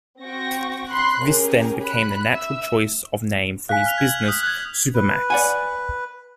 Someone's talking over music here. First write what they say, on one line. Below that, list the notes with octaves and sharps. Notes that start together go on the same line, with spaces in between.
This then became the natural choice of name for his business, "Supermac's".
C4 F#4 G5 C#6 A#6
B5 C6 F#6
C#4 G4 G#4 A#4
B5 F#6
E5 E6
F5 G#5 F#6 B6
F6 B6 F7
G#6 F#7
D#6 G6 B6
F#6 G#6
B4
D5 F#5 G#5